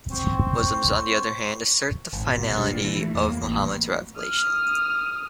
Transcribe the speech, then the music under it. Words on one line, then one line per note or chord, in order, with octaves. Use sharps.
Muslims, on the other hand, assert the finality of Muhammad's revelation.
C4 F#4 C5
G#1
B2
D#1
G2
A#2
E3
A3
E2
A#3
A1
D#6 F6